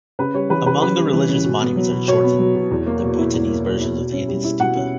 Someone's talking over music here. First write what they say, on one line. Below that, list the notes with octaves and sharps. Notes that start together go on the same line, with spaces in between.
Among the religious monuments are chorten, the Bhutanese version of the Indian stupa.
C#3 B4
G3 C#5
E3 B4
C#3 B4
C#3 B4
G3
E3
C#3
B2
B3
F#3
B2
B2 C#5
B3
F#3
B2
E2
A#3
B2
E4
E2
A#3
B2
E4
B2
C#4
G3
E4
B2 F#5
C#4